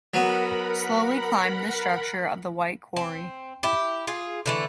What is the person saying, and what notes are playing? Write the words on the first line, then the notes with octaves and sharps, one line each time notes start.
Slowly climbed the structure of the white quarry.
F#3 B3 A#4 F#5 B5
C4
E4 G4
F4 G#4
D3 E3 A3